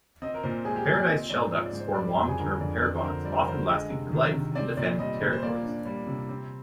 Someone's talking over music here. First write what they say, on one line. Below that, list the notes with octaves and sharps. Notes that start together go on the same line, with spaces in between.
Paradise shelducks form long-term pair bonds, often lasting for life, and defend territories.
C4 D#5
A#4
A#2 C5
G#3 G#4
G4
A#2 G#4
D5
C4 D#5
G#2 D5
F3 C5
D5
G#2
C5
G3 D5
C5
F2
G#4
D3 A#4
F2 D5
C4 D5
C5
D3 A#4
G3 D5
C5
A#4
D3 C5
G#3 D#5
C3
D#3
C3
C4 D5
A#2 D5
G3 D#5
A#2
C5
A#3 D5
D4
G3
C3
C4